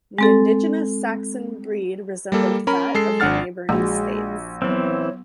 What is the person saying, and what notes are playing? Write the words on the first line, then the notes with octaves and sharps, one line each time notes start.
The indigenous Saxon breed resembled that of the neighbouring states.
G#3 C4 A4
G3 A#3 A4
C#4 A#4 B5
G#3 A4 C7
G#1 D4 F#5 F6 A6
A#1 G#3 F#4 F#5
E3 F#3 B3 C4 C#5